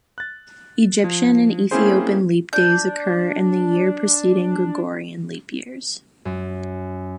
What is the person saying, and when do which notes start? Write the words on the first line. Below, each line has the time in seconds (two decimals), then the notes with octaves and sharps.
Egyptian and Ethiopian leap days occur in the year preceding Gregorian leap years.
0.18 F#6 A6
1.04 F3
1.71 A#3 C4 C#4 E4 G#4 C5
2.53 D4 G6
6.25 F#2